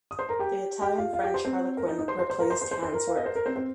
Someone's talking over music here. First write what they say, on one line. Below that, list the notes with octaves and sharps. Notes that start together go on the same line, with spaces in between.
The Italian-French Harlequin replaced Hanswurst.
D#6
C5 C6
A#4 A#5
G4 G5
G4 G5
F4 F5
F4 F5
G4 G5
C5 C6
C4 C5
A#4
D#4 D#5
D#4 D#5
C5 C6
C5 C6
C5 C6
A#4 A#5
C5 C6
C5 C6
C5 C6
C5 C6
A#4 A#5
F5
D#5
C5
A#4
C4 C5
C4 C5